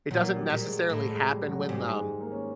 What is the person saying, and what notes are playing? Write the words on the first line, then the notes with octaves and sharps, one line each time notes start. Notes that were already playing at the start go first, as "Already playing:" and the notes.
It doesn't necessarily happen when, um,
A#2 F#3
G3
A#2
G#3
A2 A3
G#3
G3
F#3
G#2 G3
G#3
A#3
C#4